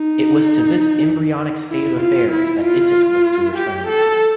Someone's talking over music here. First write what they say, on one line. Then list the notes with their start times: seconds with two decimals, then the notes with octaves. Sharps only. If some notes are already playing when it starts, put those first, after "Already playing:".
It was to this embroyonic state of affairs that Isitt was to return.
Already playing: D#4
1.70 E4
2.00 F4
2.32 E4
2.63 F4
3.56 G4
3.88 A4